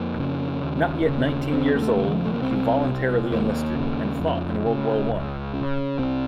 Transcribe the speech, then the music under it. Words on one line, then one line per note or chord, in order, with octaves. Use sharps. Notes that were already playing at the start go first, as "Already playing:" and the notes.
Not yet nineteen years old, he voluntarily enlisted and fought in World War One.
Already playing: F2 A#3
C#3
D#2
C#3
D#2 C4
A#3
A3
C#3
D#3
F3
A3
A#3
C2 C4
C3
D#2 A#3
C#3
F2
C#3
C#2
C#3
C2 C4